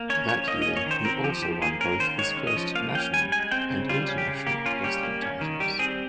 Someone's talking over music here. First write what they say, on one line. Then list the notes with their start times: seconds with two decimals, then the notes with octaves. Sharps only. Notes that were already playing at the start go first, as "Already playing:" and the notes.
That year he also won both his first national and international wrestling titles.
Already playing: A#3
0.10 C#4 C#5
0.29 F3 C#5
0.48 A#3 D#5
0.62 D#5
0.67 C#4
0.77 C#5
0.86 D#3 C5
1.05 C4 A#4
1.24 F3 G4
1.42 F3 G4
1.62 A#3 G#4
1.80 C#4 A#4
2.00 D#3 C5
2.18 G#3 C#5
2.37 C#4
2.47 D#5
2.56 F3
2.75 A#3 F5
2.95 C#4 G5
3.13 G3 G#5
3.32 G#3 G#5
3.51 C4 G5
3.70 C#3
3.89 G3 F4
4.08 C#4
4.18 G4
4.27 C#3
4.46 A#3 G4
4.66 C#4 F4
4.84 G3 G4
5.03 A#3
5.22 C#4
5.41 D#3
5.60 G3 G4
5.79 C4 G#4